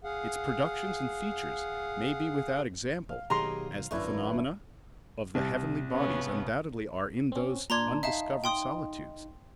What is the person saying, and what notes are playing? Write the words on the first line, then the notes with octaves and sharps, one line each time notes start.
Its productions and features may be without example, as the phenomena of the heavenly bodies undoubtedly are in those undiscovered solitudes.
G#4 F5 F#5
F5
B2 D#3 F#3 G4 G#4 D#5 A#5 C6
G#1 F#2 A3 D4 E4 A#4 B4
C2
C#3 B3 C#4
C4 C#4
A#2 D4 A#5 C6 G#6
D#4 E5 F5 A5
G5 C6 D#6